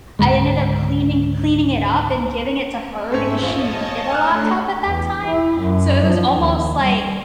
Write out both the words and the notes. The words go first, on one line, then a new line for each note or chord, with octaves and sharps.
I ended up cleaning cleaning it up and giving it to her because she needed a laptop at that time. So, it was almost, like,
C#2 G#2 D3 G#3
G#2 A3 C4 C#4 E5
A#1 C#5 D#5 A5
A3 D4 A4 G#5 F6 F#6
E2
E4
F#2
F3
D#2
G3